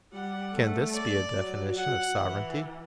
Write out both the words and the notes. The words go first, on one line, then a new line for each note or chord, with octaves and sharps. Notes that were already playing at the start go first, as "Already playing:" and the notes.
Can this be a definition of sovereignty?
G3 F#5
A3
D5
F#3
F#5
E3